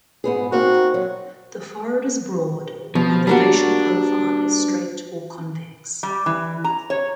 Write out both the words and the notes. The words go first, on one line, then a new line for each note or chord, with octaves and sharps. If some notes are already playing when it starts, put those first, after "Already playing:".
The forehead is broad, and the facial profile is straight or convex.
G#2 B3 G#4
A#3 C4 D#4 F#4
F#3
B2 F3
G3 A#3 D4 F#4
G3
E3
A#5
C#5